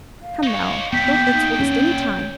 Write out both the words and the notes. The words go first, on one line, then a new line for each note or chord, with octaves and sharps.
Come now, don't let's waste any time.
F5
D#4 C#5
D#2 A#2 B3 G5 B6
D#4
C#4 C#5